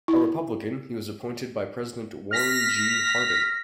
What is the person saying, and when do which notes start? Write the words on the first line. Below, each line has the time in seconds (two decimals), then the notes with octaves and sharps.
A Republican, he was appointed by President Warren G. Harding.
0.08 E4
2.31 F6 A#6 B6